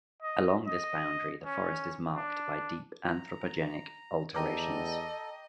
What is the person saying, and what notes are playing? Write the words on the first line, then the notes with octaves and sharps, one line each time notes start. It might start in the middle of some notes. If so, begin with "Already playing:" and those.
Along this boundary the forest is marked by deep anthropogenic alterations.
D#5
D#5
C#4
D4
A#5
E2 A4 D#5 G5 A#5 D6